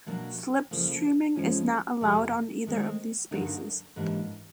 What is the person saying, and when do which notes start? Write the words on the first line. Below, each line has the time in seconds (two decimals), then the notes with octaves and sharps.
Slipstreaming is not allowed on either of these spaces.
0.06 B2 F#3 A#3 D4
0.71 F2 C#3 F3 A#3
1.36 F2 C#3 F3 G#3 C#4
2.01 F2 C3 F3 A3
2.66 D#3 G#3 C4
3.31 G2 D3 F#3 A#3 D#4
3.96 G#2 E3 G3 A#3 D4